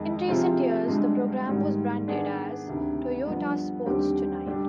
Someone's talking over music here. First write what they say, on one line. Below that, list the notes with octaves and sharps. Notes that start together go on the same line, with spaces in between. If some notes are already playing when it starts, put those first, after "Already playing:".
In recent years the program was branded as "Toyota Sports Tonight".
Already playing: F2 D#3 G#3
C3 F3 C4 F4 G#4
G2 D3 G#3
G#2 D#3 G3
D#3 B3 D4 G#4
D2 C3 D#3
G2 F3 B3
D#2 D3 G3 C4 G4
D3 G3 D4 G4